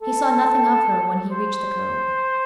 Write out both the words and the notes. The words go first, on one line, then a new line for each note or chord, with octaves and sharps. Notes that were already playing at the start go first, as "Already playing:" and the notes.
He saw nothing of her when he reached the Cove.
A4
C5